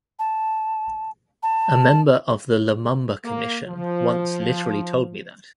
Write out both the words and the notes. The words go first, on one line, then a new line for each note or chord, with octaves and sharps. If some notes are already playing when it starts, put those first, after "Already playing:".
A member of the Lumumba Commission once literally told me that.
A5
A5
A#3
F3